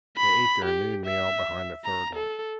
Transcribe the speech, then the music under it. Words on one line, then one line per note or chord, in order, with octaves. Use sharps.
They ate their noon meal behind a third one.
B5
G4
E5
A#5
A4